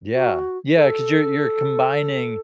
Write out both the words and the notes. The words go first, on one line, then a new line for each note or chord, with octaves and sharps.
Yeah, yeah, 'cause you're you're combining,
F#4
A4